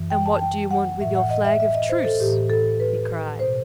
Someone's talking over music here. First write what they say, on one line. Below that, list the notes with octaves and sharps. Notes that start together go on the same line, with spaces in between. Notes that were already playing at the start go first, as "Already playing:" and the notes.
"And what do you want with your flag of truce?" he cried.
Already playing: F#2 E3
G5
A5
G5
F#5
A2 E3 E5
F#5
D#5
E5
E5
D#5
C5
A4
A2 E3 G4
A4
B4
B2 C5